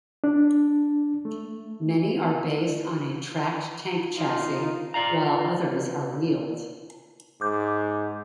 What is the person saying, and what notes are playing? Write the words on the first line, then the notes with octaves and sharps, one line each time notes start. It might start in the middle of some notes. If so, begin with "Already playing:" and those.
Many are based on a tracked tank chassis, while others are wheeled.
D4
A3
D#4 F4
F4 D5 F5 A#5
G#2 D6 G6